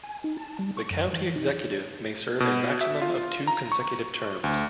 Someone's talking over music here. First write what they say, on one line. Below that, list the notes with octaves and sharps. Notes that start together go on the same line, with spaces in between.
The County Executive may serve a maximum of two consecutive terms.
G#5
D#4
A5
G3
C#6
F#2
E3
D#4
B2
E5
F4
A#5
C#6
D2